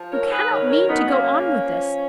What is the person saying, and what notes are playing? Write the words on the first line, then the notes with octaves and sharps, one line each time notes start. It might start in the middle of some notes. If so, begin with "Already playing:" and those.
You cannot mean to go on with this.
Already playing: F3
A#4 C#5
G#2
G#4 B4
D#3 A#4 C#5
B4
A#4 C#5
F#2
B3 D#4
C#3 A#3 C#4
A#3
F3